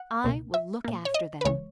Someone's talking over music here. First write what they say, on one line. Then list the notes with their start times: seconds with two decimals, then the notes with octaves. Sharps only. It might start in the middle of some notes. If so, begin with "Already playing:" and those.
"I will look after them."
Already playing: F#5
0.24 C#2 B2 A#3
0.54 E5
0.85 A#2 A#3
1.05 C#5
1.14 D#5
1.41 B4
1.45 C#2 C#3 E3 G#3 C#5